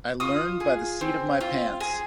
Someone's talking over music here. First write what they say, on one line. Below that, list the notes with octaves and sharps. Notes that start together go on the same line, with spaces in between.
I learned by the seat of my pants.
F4 D#6
G#4
C4
F4
G#4